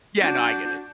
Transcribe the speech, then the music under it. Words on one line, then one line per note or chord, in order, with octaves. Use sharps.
Yeah, no, I get it.
D4 F#4 G6